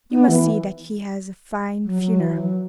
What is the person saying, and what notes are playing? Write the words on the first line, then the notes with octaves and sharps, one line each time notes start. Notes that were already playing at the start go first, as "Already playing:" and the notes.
You must see that he has a fine funeral.'
B3
E3
F#3
F#3
E3
F#3